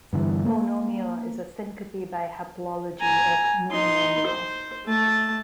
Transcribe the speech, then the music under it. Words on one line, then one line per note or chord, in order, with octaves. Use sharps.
"Monomial" is a syncope by haplology of "mononomial".
G2 D3 E3
A#3
G#5 A#5
D#4 C6
C5
A3 A5